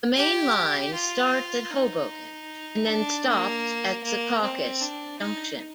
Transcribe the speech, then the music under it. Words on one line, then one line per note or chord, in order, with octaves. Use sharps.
The Main Line starts at Hoboken and then stops at Secaucus Junction.
G4
F4
D#4
D4
A#3
A#3
C4
D4
D#4